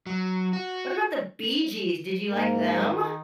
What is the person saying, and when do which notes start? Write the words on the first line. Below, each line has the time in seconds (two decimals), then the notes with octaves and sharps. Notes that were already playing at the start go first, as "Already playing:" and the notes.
What about the Bee Gees? Did you like them?
0.06 F#3
0.53 F#4
2.31 G#2 A#3 A#4
2.81 D#3